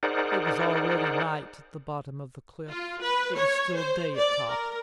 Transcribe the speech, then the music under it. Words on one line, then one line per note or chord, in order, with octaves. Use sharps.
It was already night at the bottom of the cliff; it was still day at top.
D#4 G#4 A#4 C5 D5 F#5
F4
B4
C#5
C5
D5
A#4